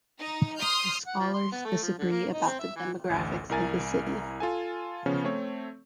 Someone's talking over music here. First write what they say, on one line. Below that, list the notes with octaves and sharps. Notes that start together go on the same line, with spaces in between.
The scholars disagree about the demographics of the city.
D#4
C6 D#6 F6 G6
F#5
F3
C6
B3
A3
F3
D3
A#3
D#4
C4
E5
E3
A1 D2
C2 E4 A#4 G#5 A6
F4 A4 G#5
C#3 F3 B3 C#4
A3 C4 C#5